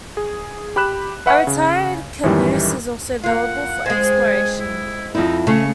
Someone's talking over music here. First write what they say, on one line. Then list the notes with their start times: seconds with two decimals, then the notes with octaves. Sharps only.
A retired caboose is also available for exploration.
0.17 G#4
0.76 G4 B5 F#6 E7
1.26 B4 E5 F#5 B5 C#6
1.47 C#3
2.23 F#2 A2 D#3 E3 G3
3.24 A#3 F4 F#5
3.86 G#3 C4 G#5
4.60 E4
5.15 F2 D#4 E4
5.47 C#3 A3 C#4 C#6